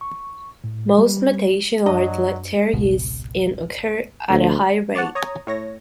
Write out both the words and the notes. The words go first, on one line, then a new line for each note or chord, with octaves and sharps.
Most mutations are deleterious, and occur at a high rate.
C#6
A2
G3
F#2 F#3 D4 D#5
G#1 C#2 B2
D2
F#5 A5 C#6 D6 A6
C#5 A#5 D#6 G#6
A2 C#5 A#6